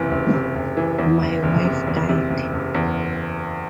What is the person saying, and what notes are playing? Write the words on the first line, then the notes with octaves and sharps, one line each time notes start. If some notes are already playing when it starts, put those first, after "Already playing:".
My wife died.
Already playing: F#1 C3 E3
F#1
C3
F#1
E3
E2
F#1
F#1
C3
E2
C3
F#1
F#1
E2